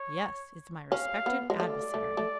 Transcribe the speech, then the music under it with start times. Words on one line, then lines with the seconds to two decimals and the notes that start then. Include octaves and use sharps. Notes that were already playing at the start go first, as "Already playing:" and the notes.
"Yes; it's my respected adversary."
Already playing: C#5
0.92 C#4 F5
1.26 B3
1.50 G#3
1.60 A3 D5
1.94 A3
2.17 A3